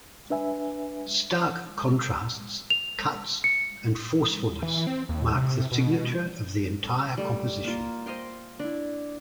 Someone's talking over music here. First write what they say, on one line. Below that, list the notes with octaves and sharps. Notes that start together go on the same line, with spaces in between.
Stark contrasts, cuts and forcefulness mark the signature of the entire composition.
D4 B4 E5 G#5
F7
C#7
E3
C4
D#2
C3
B2
G3 A3
A#3 F4
C5 D#5 F5 G5
D4 E4